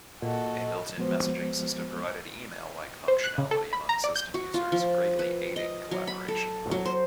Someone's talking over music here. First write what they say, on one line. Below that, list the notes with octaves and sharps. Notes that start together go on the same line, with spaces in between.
A built-in messaging system provided email-like functionality among system users, greatly aiding collaboration.
A#2 F#4 A4 D#5
F3 G#3 B3 F#4 C5
C5
F#6
C#3
A4
B5
A#5
D5
G6
F#4
F4
F3
B4
D#5
F#3
B5
A4
F#3
C5